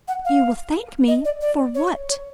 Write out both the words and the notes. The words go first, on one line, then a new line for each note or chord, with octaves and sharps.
"You will thank me--for what?"
F#5
F5
D#5
D5
D5
C#5
C#5